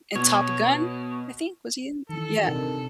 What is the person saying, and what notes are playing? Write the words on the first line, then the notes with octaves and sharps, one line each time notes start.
And Top Gun, I think was he in Yeah.
B2 C#5
D#3 E3 A4
C3 D4 D#4 A#4